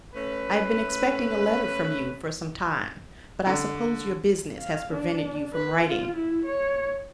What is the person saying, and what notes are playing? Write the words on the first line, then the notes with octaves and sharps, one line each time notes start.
I have been expecting a letter from you for some time but I suppose your business has prevented you from writing.
A3 C#4 B4
D3
F5
D4
B4
F4
E4
C#5